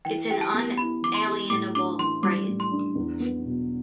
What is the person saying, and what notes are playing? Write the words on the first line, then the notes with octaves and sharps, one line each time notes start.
It's an unalienable right.
E3 G5
G4 G5
A5
B3
E4 B5
E3 D6
C6
G4
A2 D6
D4 D6
E3 C6
G3 D6
A2
C6
D4
E2
B3
B2